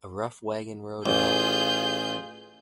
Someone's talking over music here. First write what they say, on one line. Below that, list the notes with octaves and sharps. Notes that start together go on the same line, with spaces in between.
A rough wagon road evolved.
A1 F4 G#4 G6